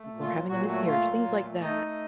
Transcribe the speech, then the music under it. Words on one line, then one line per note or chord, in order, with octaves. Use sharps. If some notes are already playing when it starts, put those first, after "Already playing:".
or having a miscarriage, things like that.
Already playing: A3
A#2
F4
F#3
A#2 F#3 F#4
F#3 A3 F#4
A#2 F4 F5
F#3
A#2
A3
A3 D#4 D#5
A3